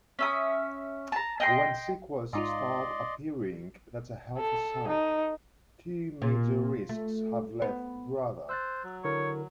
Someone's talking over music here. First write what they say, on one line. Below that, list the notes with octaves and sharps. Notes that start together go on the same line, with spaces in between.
'When sequels start appearing, that's a healthy sign... Two major risks have left Brother.
C#4 E5 D#6
A5 A#5
D#5 G5 C6
G#2 D#4 F4 D5 D#5 C6
A4
D#4
A#2
A3
B3
C5 E6 F#6 A6
F#3
D3 E4 A#4 C#5